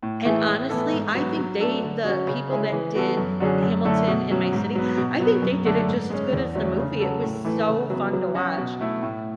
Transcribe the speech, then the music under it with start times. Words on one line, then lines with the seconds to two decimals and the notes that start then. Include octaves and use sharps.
And honestly, I think they the people that did Hamilton in my city, I think they did it just as good as the movie, it was so fun to watch.
0.03 A2
0.25 E3 A3 E4 G#4
0.48 A2
0.69 E3 B3 E4 A4
0.92 G#2
1.15 F#3 B3 F#4
1.38 F#3
1.60 A3 D4 A4
1.82 D3
2.05 F#3 C#4 F#4
2.27 C#3
2.50 G#3 C#4 E4 G#4
2.72 E3
2.95 B3 F#4 A4
3.17 F#2
3.40 D3 F#3 C#4 G#4
3.63 F#2
3.85 D3 A3 E4 A4
4.08 B2
4.30 F#3 C#4
4.53 G#2
4.75 F#3 B3
4.97 B2
5.20 F#3 B3
5.43 F#2
5.65 D3 A3 D4 A4
5.87 G#2
6.10 G#3 C#4
6.33 E2
6.55 D3 F#3 A3 C#4
6.77 C#3
7.00 F#3 C#4 F#4 A4
7.23 A2
7.45 E3 A3 E4 A4
7.67 C#3
7.90 F#3 B3
8.13 F#3
8.35 C#4 F#4
8.58 B2
8.81 A3 E4
9.02 A2